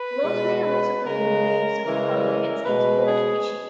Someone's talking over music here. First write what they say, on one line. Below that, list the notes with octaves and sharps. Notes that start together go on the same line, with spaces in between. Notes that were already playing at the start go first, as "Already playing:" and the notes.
Laws may also prohibit the use of powerheads in sport fishing.
Already playing: B4
B2 G#3
B4
C#3 G#3 A#4
C#3 E3 G#3 A#4
B2 G#3 B4
G#4